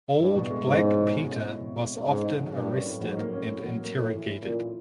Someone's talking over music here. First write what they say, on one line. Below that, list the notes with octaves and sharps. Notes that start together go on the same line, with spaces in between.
Old Black Peter was often arrested and interrogated.
G2 E4
B2
G#3
G#2 C#4
E4
B2
G#3
C#4
E4
B2
G#3
C#4
G#2 C#4
A2
F#3
G2 A#3
C#4
A2
G#2 F#3
A#3
C#4
A2
F#3
A#3
A2 E4
E3
A3
A#2 C#4
E4